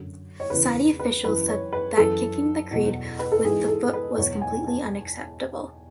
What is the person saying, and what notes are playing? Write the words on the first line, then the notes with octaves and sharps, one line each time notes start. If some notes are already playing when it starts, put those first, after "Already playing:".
Saudi officials said that kicking the creed with the foot was completely unacceptable.
Already playing: F#2 D3 F#3
C#5
E2 C#3 E3 B4
B4
F#2 E3 B4
C#5
B4
F#2 E3 A4
E2 B2 F#3
B4
A4
G#2 E3 G#4
A4
B4
E2 B2 F#3 C#5
G#5
A5